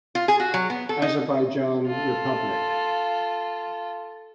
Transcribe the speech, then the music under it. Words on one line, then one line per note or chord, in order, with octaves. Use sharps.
Azerbaijan republic.
F4
G#4
F#4
F#3
B3
A4
D#4
F4 A4